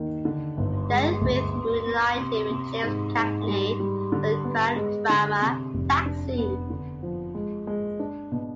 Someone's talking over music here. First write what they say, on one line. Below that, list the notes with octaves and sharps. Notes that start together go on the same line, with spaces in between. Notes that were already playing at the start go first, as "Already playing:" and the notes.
Del Ruth reunited with James Cagney for the crime drama Taxi!
Already playing: D#2 D#3
D3
G1
G#3
D2
B3
B3
C3
C3
G#2
G#2
G3
G3
D3
B3
G#3
D3
C3
F1
D4
B3
D3
F3
G#3
G#3
D4
B2